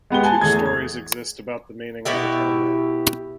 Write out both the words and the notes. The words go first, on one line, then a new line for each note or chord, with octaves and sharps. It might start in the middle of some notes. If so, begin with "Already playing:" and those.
Two stories exist about the meaning of the town name.
G#3 B3 G4 G7
G#5 A5
E2 A3 G#4 G#6
G#6
B2 E4 G4 E5